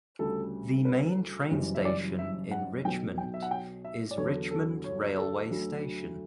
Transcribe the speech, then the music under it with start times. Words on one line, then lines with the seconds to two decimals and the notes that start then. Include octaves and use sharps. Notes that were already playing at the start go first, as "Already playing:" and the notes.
The main train station in Richmond is Richmond railway station.
0.19 D2 C#3 G3 A4
0.85 B4
1.51 F#1 F#2 E3 G3
1.75 E5
1.85 D5
2.19 E5
2.51 F#5
2.85 B1 B2 F#3 G5
3.18 G5
3.34 E5
3.43 F#5
3.51 G5
3.85 E5
4.11 D5
4.17 E2 D3 F#3 C#5
4.51 A4
4.84 C#5
5.17 A4
5.51 D2 D3 F#3